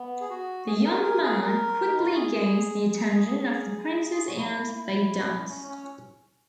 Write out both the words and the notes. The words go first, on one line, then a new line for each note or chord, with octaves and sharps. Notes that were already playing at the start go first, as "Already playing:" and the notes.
The young man quickly gains the attention of the Princess and they dance.
Already playing: B3
G#4
F#4
G#4
A#4
A#4
G#4
A#4
D#4
E4
F#4
G#4
G#4
G#4
F#4
E4
E4
C#4
C#4